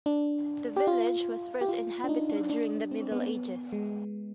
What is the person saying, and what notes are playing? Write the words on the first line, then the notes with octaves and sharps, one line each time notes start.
The village was first inhabited during the Middle Ages.
D4
G4
F4
G4
F4
D4
D#4
D4
D4
C4
B3
G#3